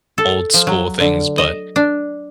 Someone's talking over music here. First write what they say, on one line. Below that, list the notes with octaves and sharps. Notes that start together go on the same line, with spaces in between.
old school things, but,
A4
F3
F#3
D3
D#5
D4